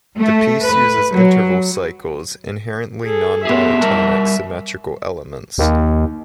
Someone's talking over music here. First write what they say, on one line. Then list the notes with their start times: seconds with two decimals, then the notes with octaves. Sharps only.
The piece uses interval cycles, inherently non-diatonic symmetrical elements.
0.17 A3
0.63 B4
1.13 F#3
3.04 G#4 A4
3.45 B3 G4 G#4 E5
3.81 G3 A#4 A5
5.58 D#2